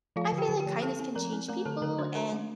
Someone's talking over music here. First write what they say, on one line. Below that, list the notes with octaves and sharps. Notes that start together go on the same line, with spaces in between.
I feel like kindness can change people, and
F3 F4 F5
D3
G4 G5
D3
G4 G5
F3
C4 A4 A5
C4
F3 A#4 A#5
C4
A3 A#4 A#5
D3 A4 A5
D3 A#4 A#5
D4 C5 C6
D4 A#4 A#5
A3